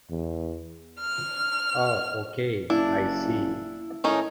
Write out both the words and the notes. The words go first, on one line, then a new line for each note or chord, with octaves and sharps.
Oh okay, I see.
E2
F6
F#1 D4 E4
A2 D#3 C#4 D#4